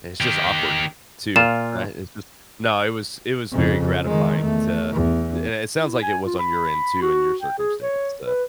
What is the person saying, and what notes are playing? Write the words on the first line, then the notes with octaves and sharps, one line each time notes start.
It's just awkward too. Right? It's just No, it was it was very gratifying to eh, and it sounds like it was on your end too in your circumstance, uh.
D#3 G4
A#2 F4 E7
F2 C#3
D#3 G#3
E2 A3
E2
E4
G#5
F4
B5
F#4
G5
G#4
C#5
B4